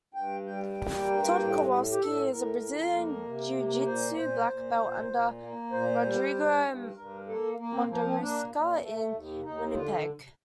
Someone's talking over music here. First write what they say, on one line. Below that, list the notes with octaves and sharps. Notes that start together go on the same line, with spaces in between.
Todd Kowalski is a Brazilian jiu-jitsu black belt under Rodrigo Mundaruca in Winnipeg.
G2 G5
G3 G5
G5
A#3
G2
A2
A2
G4
A2 A4
A2 A#4
F2
A#3
C3
A#3
A#2 C5
A#2 C5
A#2
A#2
A#2
A#3
A#2 C5
G3
G2
G2
G2 A#4
A#3 A4
A#3
C4
F3 A#3
C4
A#3 D4
A#2
A3
D#2
D#2 D#4
D3 F4